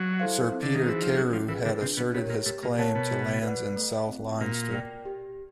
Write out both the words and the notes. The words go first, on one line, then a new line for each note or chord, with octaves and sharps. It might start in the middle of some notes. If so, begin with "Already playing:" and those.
Sir Peter Carew had asserted his claim to lands in south Leinster.
Already playing: F#3
E4 A4 C5 F5
C4
D3
D#3
E3 D#4 G#4 C5
F3
F#3 C#4
F3
E3 F4 G#4 B4
D3
C3 D4
B2
B2 G4 A#4 C#5
A#2
A2 G4
A#2
B2 A#4 C#5 F#5 A5
B2
F#4
B4 D5 F#5
A3
C4 F4
A#2 F#4
A#4 D5 G5
G4